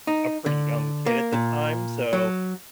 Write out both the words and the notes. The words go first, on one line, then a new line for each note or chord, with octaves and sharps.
a pretty young kid at the time, so
D#4
D3
A#3
A#2
F#3